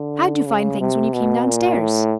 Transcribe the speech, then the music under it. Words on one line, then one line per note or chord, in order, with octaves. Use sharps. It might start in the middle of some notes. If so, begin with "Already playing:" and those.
How'd you find things when you came downstairs?
Already playing: D3
C#3
C3
B2
A#2
A2